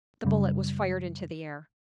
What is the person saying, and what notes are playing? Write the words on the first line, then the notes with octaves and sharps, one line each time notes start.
The bullet was fired into the air.
F#2 C#3 G3